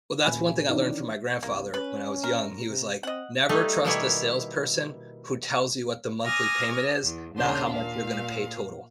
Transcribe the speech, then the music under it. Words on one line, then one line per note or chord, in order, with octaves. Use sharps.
Well, that's one thing I learned from my grandfather when I was young, he was, like, "Never trust a salesperson who tells you what the monthly payment is, not how much you're going to pay total."
D#1 G#5 B5
D#3 E3 C#4 D4
C2 A#3
C#4 B4
A#4
C3
C4 D#5 F#5
G3 A3 D#4
B2 D#3 G3 A#3 E4 C#5
G#5 D6 D#6 F6 G#6 A#6
E2
D#2 C#3 D4 C6
A#2 F5